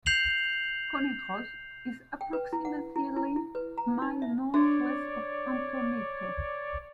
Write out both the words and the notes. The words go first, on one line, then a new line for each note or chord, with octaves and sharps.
Conejos is approximately a mile northwest of Antonito.
G6 C7 F7 F#7
G5
B4
E4
F#5
E4
E4
E4
B4
A#5
D#4
E5
D4 C#5 D5